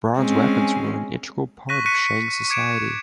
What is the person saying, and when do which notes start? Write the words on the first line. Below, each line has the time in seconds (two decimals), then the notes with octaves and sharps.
Bronze weapons were an integral part of Shang society.
0.19 G#3 C4 C#4
1.69 C#6 F#6 A#6 B6 D#7
1.86 C#6 F#6 B6 C#7 D#7
2.50 D6 G#6 C#7 D7 E7